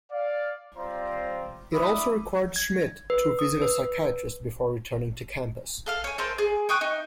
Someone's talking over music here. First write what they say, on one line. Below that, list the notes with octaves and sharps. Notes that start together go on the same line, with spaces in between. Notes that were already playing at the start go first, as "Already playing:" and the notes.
It also required Schmidt to visit a psychiatrist before returning to campus.
D5 F5
G3 C4 F4 C5 D5 A#5
D4 E4 E5 B5 D6 D#6
G#6
B4
D#6
B4
A4 F5 F6
C#5 G#5
A4 A#4 C5
G#4
G5 C#6 D#6 F#6
D#4